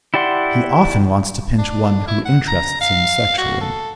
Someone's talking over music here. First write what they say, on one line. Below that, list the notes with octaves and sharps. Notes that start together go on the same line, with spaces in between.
He often wants to pinch one who interests him sexually.
E4 G4 D5 F#5 C6
D4
E4
F#5
A#5
F5
F#4
A4